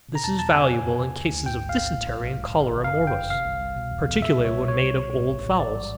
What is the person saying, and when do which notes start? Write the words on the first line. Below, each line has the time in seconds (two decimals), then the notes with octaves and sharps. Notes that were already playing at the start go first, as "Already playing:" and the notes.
This is valuable in cases of dysentery and cholera morbus, particularly when made of old fowls.
0.09 B2
0.15 A#5
0.23 E2 A5
0.39 E2 A5
0.54 C3 G#5
0.69 F2
0.85 F2
1.00 C#3
1.16 D2
1.31 D2
1.46 G#2 G5
1.62 A1
1.69 F5
1.77 A1
1.92 A2
2.08 B1
2.23 B1
2.38 G#2
2.53 G#1
2.69 G#1
2.84 F#2 F5
3.00 G1
3.07 G5
3.15 G1
3.30 C3 F5
3.45 C2
3.61 C2
3.76 B2
3.91 E2
4.07 E2
4.22 A#2 E5
4.38 C2
4.45 C#5
4.52 C2
4.68 B2 C#5
4.83 C2
4.99 C2
5.14 A2
5.29 A1
5.45 A1
5.60 G#2 D5
5.75 G3